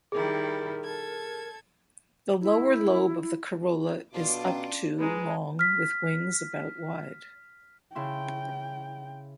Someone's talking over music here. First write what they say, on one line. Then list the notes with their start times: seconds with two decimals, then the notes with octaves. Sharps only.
The lower lobe of the corolla is up to long with wings about wide.
0.12 D#3 G3 E4 G#4 A#4
0.84 A4 G#6
2.41 E4
4.14 B2 D4 F4 D6
4.44 C#4 G5
4.99 G#3 D#4 B4
5.59 F6 B6
7.95 C#3 E4 G5 C6